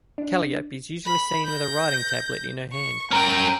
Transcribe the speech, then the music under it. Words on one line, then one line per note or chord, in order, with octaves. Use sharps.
Calliope is usually seen with a writing tablet in her hand.
D4
B5
G6 A#6
C#6
C#4 A#4 G5